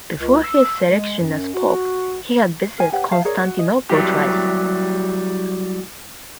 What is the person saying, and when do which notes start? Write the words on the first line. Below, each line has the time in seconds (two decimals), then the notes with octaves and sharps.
Before his selection as pope, he had visited Constantinople twice.
0.17 C#2
0.43 E6
0.91 G#3
1.19 F#2
1.54 F#4
2.78 A#4 G#5
2.92 G4 B4 C#5 F#5
3.11 C5 E5 F5 A5
3.25 G#4 A#4 C#5 D5
3.44 F#4
3.59 D#5
3.90 F#3 G3 E4 G4